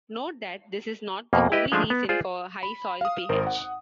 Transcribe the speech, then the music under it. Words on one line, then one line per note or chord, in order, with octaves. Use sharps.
Note that this is not the only reason for a high soil pH.
F2 B2 A#3
E4 G4 B4 D#5
F3 G#3 A3 D4 F5 G#5
B3
F4 G#4 C5 D5
B5
F5 D#6
G#1 A#4 C5
F#5